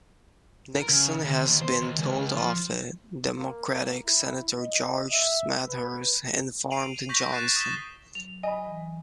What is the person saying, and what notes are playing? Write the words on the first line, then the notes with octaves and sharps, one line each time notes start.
Nixon has been told of it, Democratic senator George Smathers informed Johnson.
A#4
C#3
D2
D#2
C5
D#2
C#2
F3
A#3
E4
D#5
E5
B4
C7 D7 D#7 F7 F#7
C#6 G6 A#6 B6 F#7
F#6 A6 C7 D#7 E7
D#6 A6 B6 E7 G7
F#3 F7
D#5 G#5 B5
E3